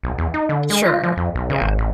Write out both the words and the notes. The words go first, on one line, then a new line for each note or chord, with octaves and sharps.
Sure. Yeah.
B1
E2
D#4
D3
G#3
F4
F3
F2
B1
C#3
G#1
A1